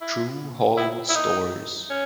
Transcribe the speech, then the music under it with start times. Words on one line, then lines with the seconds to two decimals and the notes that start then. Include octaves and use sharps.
True Hollywood Stories.
0.01 E4
0.77 E4
1.09 E4
1.15 D#4
1.90 C#4